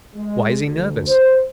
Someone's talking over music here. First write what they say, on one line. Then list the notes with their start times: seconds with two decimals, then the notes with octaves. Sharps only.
Why is he nervous?
0.16 G#3
0.59 D2
1.08 C5